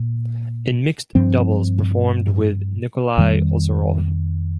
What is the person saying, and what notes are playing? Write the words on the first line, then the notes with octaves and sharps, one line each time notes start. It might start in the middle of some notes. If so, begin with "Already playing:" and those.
In mixed doubles performed with Nikolai Ozerov.
Already playing: A#2
G2 F3 C4
F2 D#3 G3